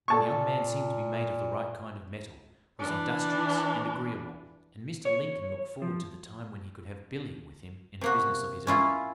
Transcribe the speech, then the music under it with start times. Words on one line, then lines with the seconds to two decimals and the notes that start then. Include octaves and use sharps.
The young man seemed to be made of the right kind of metal, was industrious, and agreeable, and Mr. Lincoln looked forward to the time when he could have "Billy" with him in a business of his own.
0.08 A#2 A4 A5 C#6
2.79 E3 D4
5.05 C#5
5.82 F3
8.01 C3 A#3 F#4
8.67 C#4 E4 F4